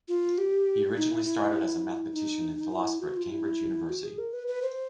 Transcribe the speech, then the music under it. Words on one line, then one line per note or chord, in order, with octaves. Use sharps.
He originally started as a mathematician and philosopher at Cambridge University.
F4
G4
D#4
E4
E4
D#4
F4
E4
F#4
F4
E4
F#4
G#4
A#4
B4
B4
C5